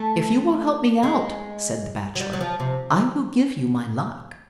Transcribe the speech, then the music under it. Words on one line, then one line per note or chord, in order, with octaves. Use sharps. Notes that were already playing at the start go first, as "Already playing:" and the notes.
"If you will help me out," said the Bachelor, "I will give you my luck."
Already playing: A3
G#3
F#3
G3
F#3
F3
C3